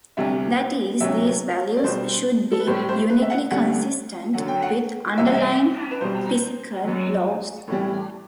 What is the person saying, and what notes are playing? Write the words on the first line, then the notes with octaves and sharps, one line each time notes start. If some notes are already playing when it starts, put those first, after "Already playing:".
That is, these values should be uniquely consistent with underlying physical laws.
D2 C3 G3 E5
D2 C3 F#3 E5
D5
C2 B2 G3 C5
A4
B4
A2 G3 C5
C5
B4
E5
F#5
D2 D3 G3 F#5
F#2 D3 F#3 F#5
G5
F#5
C2 C3 E3 E5
F#5
E5
B4
C2 B2 G3 C5
F#2 F#3
A2 E3 G3